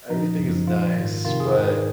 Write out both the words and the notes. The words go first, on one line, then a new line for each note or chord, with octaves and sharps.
everything is nice, but,
A#2 F3 D#4
F#2 C#3 F3
A#2 F3 F4
G#2 D#3
F2 C3 D#3 F4
G#4
G#2 D#3